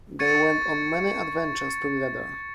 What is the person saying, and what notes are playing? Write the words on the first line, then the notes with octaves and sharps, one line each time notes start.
They went on many adventures together.
C#6 G#6 A6 C#7 D#7